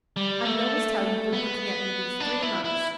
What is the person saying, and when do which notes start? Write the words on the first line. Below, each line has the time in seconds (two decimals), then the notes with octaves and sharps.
I've noticed how you've been looking at me these three months.
0.17 G3
0.45 A3
1.33 B3
2.20 D4
2.42 E4
2.64 E4